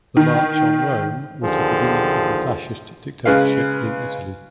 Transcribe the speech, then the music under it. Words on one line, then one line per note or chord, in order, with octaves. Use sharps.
The march on Rome was the beginning of the fascist dictatorship in Italy.
D#3
D#2 D3 F3 G4 G#4
C#3 G#3 B4 F5